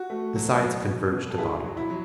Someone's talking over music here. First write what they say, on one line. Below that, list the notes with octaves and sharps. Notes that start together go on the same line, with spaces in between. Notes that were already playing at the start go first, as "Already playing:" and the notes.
The sides converged to bottom.
Already playing: F#4
A3
F#3
B2
B2
B2
A4
B2 E4 G#4
F#3
E4
F#3